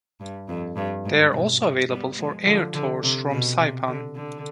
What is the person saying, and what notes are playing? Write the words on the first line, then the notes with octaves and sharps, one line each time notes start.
They are also available for air tours from Saipan.
G2
F2
G2
G#2
B2
G3 B3
F3 G#3
D3 F3
D3
C3
B2
C3
D3
D3